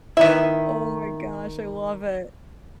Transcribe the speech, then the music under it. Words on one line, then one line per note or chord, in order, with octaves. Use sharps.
Oh my gosh, I love it.
D#3 B3 E4 E5